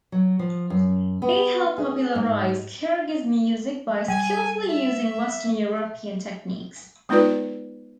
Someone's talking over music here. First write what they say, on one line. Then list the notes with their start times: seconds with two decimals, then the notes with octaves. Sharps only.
He helped popularize Kyrgyz music by skillfully using Western European techniques.
0.12 F#3
0.39 F3
0.70 F#2
1.22 B3
1.78 G#4
2.15 G#2
4.08 G3 G#5
4.68 E5
7.09 G#3 B3 D#4 F4 B4 D5